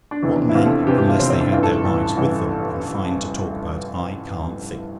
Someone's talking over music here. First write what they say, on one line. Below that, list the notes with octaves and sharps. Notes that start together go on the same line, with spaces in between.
What men, unless they had their wives with them, can find to talk about, I can't think.
D4
F1 E2 C3 E3
E4
F1 E2 C3 E3 F4
A4
F1 E2 C3 E3 G4
G4
F4
F1 E2 C3 E3 C4
C4
D4
A1 G2 E3 F4
A4
A1 G2 E3
A1 G2 E3